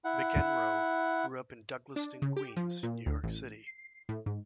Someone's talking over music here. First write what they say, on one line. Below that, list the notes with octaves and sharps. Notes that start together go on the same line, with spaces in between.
McEnroe grew up in Douglaston, Queens, New York City.
E4 F#5
D4
C#3
G4
F3
A#2
D2
A1
C7
A2
G#2